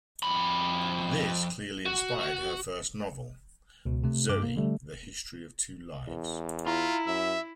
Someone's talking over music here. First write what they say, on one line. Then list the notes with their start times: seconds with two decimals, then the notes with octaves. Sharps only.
This clearly inspired her first novel, "Zoe: the History of Two Lives".
0.23 F2 B5
1.86 F#4
3.85 C#2 B2
4.04 C3 A3
4.29 G2 D6
4.43 A#3
4.56 D3 G3 A3
6.08 E2
6.66 E4 F4 A#5
7.07 F#2 E5